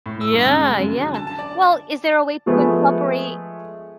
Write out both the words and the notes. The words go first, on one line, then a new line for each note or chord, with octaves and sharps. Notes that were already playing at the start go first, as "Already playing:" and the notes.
Yeah, yeah. Well, is there a way to incorporate
A2
E6
G2
C#3
G#3
F#2
D3
A5
A5
D5
F3 G#3 A3 B3